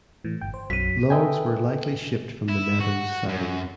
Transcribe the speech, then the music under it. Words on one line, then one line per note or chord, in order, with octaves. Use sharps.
Logs were likely shipped from the Meadows siding.
A2 E3
G1 G5
C5
B1 F#2 F#3 B6 D#7
A4 B4 D#5 E5 G5 G#5
E4
F#4
F#2